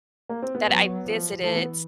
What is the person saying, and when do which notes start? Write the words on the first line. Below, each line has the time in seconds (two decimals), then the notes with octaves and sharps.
that I visited
0.29 A#3
0.42 C4
0.55 B3
0.67 F#3
1.06 F3
1.43 E3 A3
1.55 B3